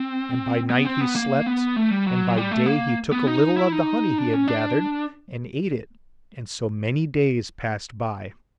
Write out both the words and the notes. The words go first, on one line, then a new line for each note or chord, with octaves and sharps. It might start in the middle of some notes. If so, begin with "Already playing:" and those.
And by night he slept, and by day he took a little of the honey he had gathered and ate it; and so many days passed by.
Already playing: C4
B3
C4
B3
A#3
B3
A3
G3
F#3
G3
A3
A#3
B3
D#4
E4
D#4
D4
C#4
D4